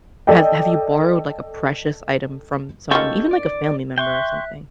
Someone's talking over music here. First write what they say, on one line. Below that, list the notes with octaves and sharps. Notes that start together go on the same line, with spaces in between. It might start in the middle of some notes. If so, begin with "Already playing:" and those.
Have have you borrowed, like, a precious item from someone, even, like, a family member or something?
A4 D5 D#5 G5
D#3 C#4 F4 G4 A4 C#6
D5
E5 G5 C6 C#6 F#6